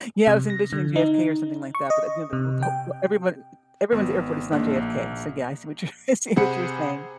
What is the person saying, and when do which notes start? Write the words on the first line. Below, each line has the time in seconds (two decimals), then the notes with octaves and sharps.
Yeah, I was envisioning JFK or something like that, but at the end of b th ho everyone everyone's airport is not JFK, so, yeah, I see what you're I see what you're saying.
0.27 C3
0.50 A#6
0.73 D3
0.96 D#4
1.75 C#6
1.90 D#5
2.33 C3
2.63 G5
3.92 G#1 B3
4.52 A1 G#2 A#3 D4
4.76 A#1
6.36 C3 G#4 C5 F#5 B5 C#7